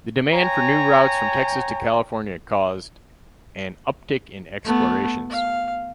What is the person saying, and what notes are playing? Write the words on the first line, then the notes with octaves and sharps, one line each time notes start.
The demand for new routes from Texas to California caused an uptick in explorations.
C#5 G5 G#5 A#5
A3 B3
F5